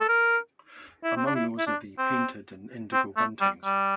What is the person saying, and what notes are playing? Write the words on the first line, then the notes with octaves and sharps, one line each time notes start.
Among those are the painted and indigo buntings.
A4
A#4
E4
C4
D4
E4
E4
D4
C4
C4
A3
G3
G3